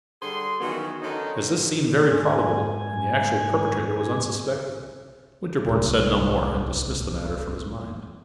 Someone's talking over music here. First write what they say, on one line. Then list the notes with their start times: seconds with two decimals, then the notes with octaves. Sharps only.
As this seemed very probable, and the actual perpetrator was unsuspected, Winterborne said no more, and dismissed the matter from his mind.
0.22 D3 G3 G#4 C6
0.60 D#3 E3 F#3 B3 C#4
1.02 D3 D#3 C#4 D#4
2.11 G#2 G#5
5.65 D1 C2